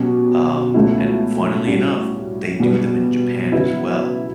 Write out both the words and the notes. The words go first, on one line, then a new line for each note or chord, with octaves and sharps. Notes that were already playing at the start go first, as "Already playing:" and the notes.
um, and funnily enough, they do them in Japan, as well.
Already playing: B2 F#3 C#4 G4
C#2 B2 A3 C#4 E4
A2 G3 C#4 F#4
B2 G3 B3
C#3 F#3 B3 E4